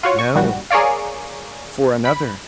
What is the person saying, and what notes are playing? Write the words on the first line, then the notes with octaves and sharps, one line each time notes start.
"No; for another."
F4 F#4 C#5
C#6
A#1 G3 F#4
G#4 A#4 C#5 D5 F5
B5